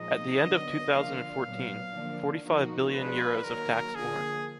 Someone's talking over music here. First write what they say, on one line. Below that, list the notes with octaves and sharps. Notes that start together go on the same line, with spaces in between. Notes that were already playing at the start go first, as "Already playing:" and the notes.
At the end of two thousand and fourteen, forty-five billion euros of tax more.
Already playing: A#2 F3 G#3 D#4 D#5
D3 F#3 B3
D3 F3 A#3 D4 F4 F5
A#2 F#3 B3
D3 F3 A#3 D4
F3 A#3 D#4 F#4
F3 G#3 D4 F4 B4
D#3 F#3 A#3 A#4
D3 F3 A#3 G#4